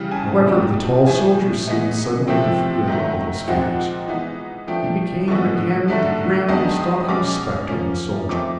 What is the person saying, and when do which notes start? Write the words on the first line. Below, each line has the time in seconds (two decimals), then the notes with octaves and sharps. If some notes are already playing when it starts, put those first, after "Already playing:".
However, the tall soldier seemed suddenly to forget all those fears. He became again the grim, stalking specter of a soldier.
Already playing: C#3 E3 G3
0.11 G#5
0.16 A5
0.47 A#2 G3 B3 D#4
1.07 A2 F3 A3 G#5
1.67 E3 G#3 B3 D#4
2.27 C3 F3 A3 C4
2.87 D#3 F#3 A3
3.48 A#2 F3 G#3 C4 D#4 F#5
4.08 E3 G#3 B3 D#4
4.68 F3 A3 D4 G5
5.28 D3 F3 G#3 B3 C#6
5.88 D3 F#3 A3 D4
6.48 D#3 G#3 B3 D4 D#6
6.79 D#6
7.00 D#6
7.08 B2 G#3 C#4 D6
7.69 F3 A#3 C#4
8.29 F3 A3 C4 D#4 D6